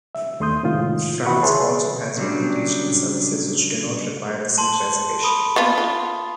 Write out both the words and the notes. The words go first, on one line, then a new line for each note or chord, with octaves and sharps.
France also has many regional services which do not require a seat reservation.
E5
D#2 A3 C6 D#6 G6
A2 C3 D#3 G#3 F4
C#2 E3 F#4 F#5 B5 C#6
G#4 B4 C#5 E5 A5 C6
C#3 F#3 G3 D4
A5 C6
B5 D#6
A#3 B3 F4
F4